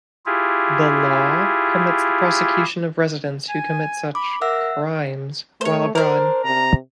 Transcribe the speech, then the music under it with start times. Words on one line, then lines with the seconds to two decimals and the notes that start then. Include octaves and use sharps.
The law permits the prosecution of residents who commit such crimes while abroad.
0.26 E4 F4 G4 G#4
3.49 G#5
4.15 B5 D6
4.41 A#4 E5 F#5 E6
5.61 A3 C5 C#5
5.95 D4 A#4 C5
6.45 C3 A#5